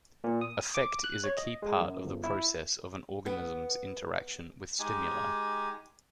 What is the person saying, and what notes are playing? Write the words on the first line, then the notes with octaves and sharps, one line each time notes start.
Affect is a key part of the process of an organism's interaction with stimuli.
A#2
D#6
D6
F#6
C#5
D#5
G#3
F#2
G1
E4
B3
G#3 D#4 G4 G#5